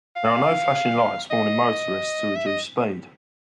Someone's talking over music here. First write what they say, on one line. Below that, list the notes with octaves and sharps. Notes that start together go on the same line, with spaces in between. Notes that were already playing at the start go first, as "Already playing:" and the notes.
There are no flashing lights warning motorists to reduce speed.
F5
D#5
E5
D#5